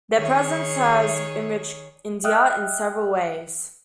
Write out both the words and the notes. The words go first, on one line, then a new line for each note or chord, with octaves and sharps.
Their presence has enriched India in several ways.
D#3 G#4 C#5
D#5 E5 G5 D#6 F6 F#6